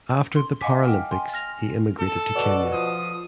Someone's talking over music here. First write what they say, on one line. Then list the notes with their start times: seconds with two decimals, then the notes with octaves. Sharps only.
After the Paralympics he immigrated to Kenya.
0.36 C6
0.61 D#5 F5 F#5 G#5 D6 B6
0.85 G5 F6
1.11 G#5 C6
1.34 F6 A#6 F7
1.99 A4
2.36 B2 D5
2.73 F3 D#6